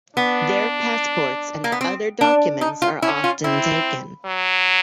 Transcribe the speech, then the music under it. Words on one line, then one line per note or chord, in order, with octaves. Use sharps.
Their passports and other documents are often taken.
B3 D4
A#3
B3
C4
D4
D#4
F4
C#4 E4
F4
C4 E4
F#3